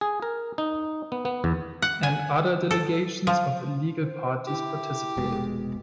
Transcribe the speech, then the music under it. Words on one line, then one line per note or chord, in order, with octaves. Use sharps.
And other delegations of illegal parties participated.
G#4
A#4
D#4
B3
B3
E2
F#5
G#5
A4
F3
C5
E4 G4
F1 B2 G#3